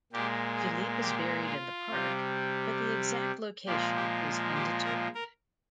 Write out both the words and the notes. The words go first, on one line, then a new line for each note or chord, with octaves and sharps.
Philippe is buried in the park but the exact location is undetermined.
A#2 G#3 G4
G#4
G4
F4
C3 G3
A#2 F3 G#3 G4
G4
G4
A#4
A#4